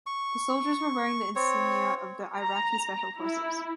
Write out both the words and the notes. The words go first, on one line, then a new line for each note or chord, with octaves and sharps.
The soldiers were wearing the insignia of the Iraqi Special Forces.
C#6
C4 C#5
A#5
E4